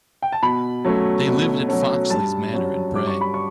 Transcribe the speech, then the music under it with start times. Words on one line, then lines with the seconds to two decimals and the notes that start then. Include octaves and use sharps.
They lived at Foxley's Manor in Bray.
0.22 G5
0.32 A5
0.43 B2 B5
0.85 F#3 A3 C#4
1.27 B2
1.69 F#3 A3 C#4
2.10 G2 A5
2.53 F#3 C#4
2.95 G2 D6
3.07 C#6
3.21 B5
3.34 C#6